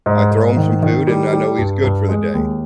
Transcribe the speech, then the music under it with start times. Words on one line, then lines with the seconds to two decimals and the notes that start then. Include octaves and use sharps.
I throw him some food, and I know he's good for the day.
0.06 G#2
0.31 G#2
0.56 D#3
0.82 D#3
1.07 G3
1.33 G3
1.58 G2
1.83 G2
2.09 G#3
2.34 D#2